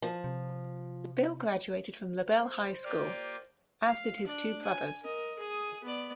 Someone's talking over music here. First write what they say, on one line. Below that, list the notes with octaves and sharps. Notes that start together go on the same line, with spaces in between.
Bill graduated from LaBelle High School, as did his two brothers.
F3
C3
C5
A#3 F4 G4 D5
F5
D4 D5
G#5
A#4 D#5
G#4 D#6
B3 D5